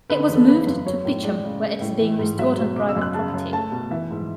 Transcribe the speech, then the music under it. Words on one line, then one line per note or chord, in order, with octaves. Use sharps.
It was moved to Peacham where it is being restored on private property.
D3 B4
E2
A4
C#3 B4
F#2
F#3 C#5
A2
G#3 D5
C#3
G#3
A2
E3
G#2
F#3 E5
B2
C#3 D6
E6
F#2
F#6
C#3 A5
F#2
A3 A5
B2
E3 E5
G#2